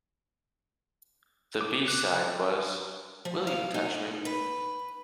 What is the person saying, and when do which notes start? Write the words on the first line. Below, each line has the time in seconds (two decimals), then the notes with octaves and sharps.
The B-side was "Will You Touch Me".
1.61 D6
1.88 F#6
3.25 F3
3.47 F5
3.74 D#4
4.25 B4